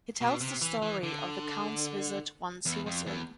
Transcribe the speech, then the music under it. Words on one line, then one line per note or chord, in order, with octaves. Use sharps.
He tells the story of the Count's visit once he was ill.
B2
C3
E3
E3
D3
E2
F2
E2